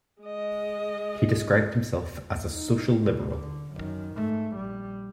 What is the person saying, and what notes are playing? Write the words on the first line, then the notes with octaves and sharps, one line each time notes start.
He described himself as a 'social liberal'.
G#3 D#5
D#4
B2
D3
F#2 D#3
G#2 A3
A#1 G3